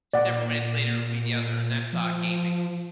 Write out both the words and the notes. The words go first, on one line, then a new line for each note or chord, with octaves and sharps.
several minutes later, it'll be the other, and that's, uh, gaming.
A#2 D5 F#5
F3